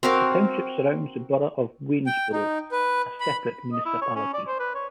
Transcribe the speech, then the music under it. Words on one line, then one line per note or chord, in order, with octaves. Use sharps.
The township surrounds the borough of Waynesboro, a separate municipality.
C4 F#4 A#4 F5
G5
D#4
B4
B5
D#5
E4
C#5
C#4
D5
C5
B4
C#5